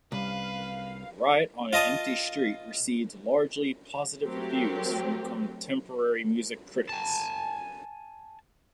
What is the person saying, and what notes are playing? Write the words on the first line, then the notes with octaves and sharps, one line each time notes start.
"Riot on an Empty Street" received largely positive reviews from contemporary music critics.
C2 G3 C#4 B4 F5
F4 D#5 A5 D#6
F#3 A3 C4 F#4 G4 A#4
G#5 A5